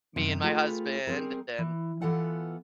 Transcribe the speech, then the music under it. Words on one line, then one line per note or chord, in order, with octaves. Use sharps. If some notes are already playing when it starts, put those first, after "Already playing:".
me and my husband, and then,
F#2 C3 D#3
A3 F4 G4 G#4 B4
G3 C4 G#4 A#4
E3
E3 B3 F4 A4 F#5 G#5